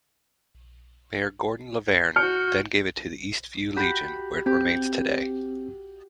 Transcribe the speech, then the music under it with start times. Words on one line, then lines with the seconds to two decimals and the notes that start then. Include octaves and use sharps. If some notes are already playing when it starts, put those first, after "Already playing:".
Mayor Gordon Lavergne then gave it to the Eastview Legion where it remains today.
2.16 F#4 F6 G6 C#7
3.76 F#4 G4 B5
4.46 C4 G4